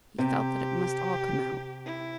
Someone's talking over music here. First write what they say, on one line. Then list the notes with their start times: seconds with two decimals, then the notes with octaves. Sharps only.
He felt that it must all come out.
0.18 C3 G4
1.85 E4